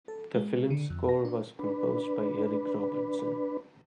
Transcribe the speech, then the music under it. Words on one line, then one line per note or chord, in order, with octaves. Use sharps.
The film's score was composed by Eric Robertson.
A4
G#3
D3
F2
A#6
D4
D4 B4